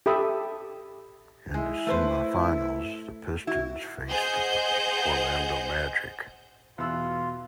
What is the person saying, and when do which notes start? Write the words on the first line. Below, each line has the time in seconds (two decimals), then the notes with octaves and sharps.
In the semifinals, the Pistons faced the Orlando Magic.
0.06 G4 A4 E5 B5 D#6
1.54 G#3 E4
1.87 A3 B4 C5
3.47 E4 F#4
4.08 G#4 C5 D#5 F#5 G6
6.78 E2 B2 F4 E6 F#6